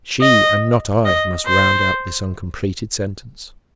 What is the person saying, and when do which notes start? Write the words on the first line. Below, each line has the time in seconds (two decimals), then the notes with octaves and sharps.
She and not I must round out this uncompleted sentence.
0.21 D#5
1.06 D#5
1.47 C5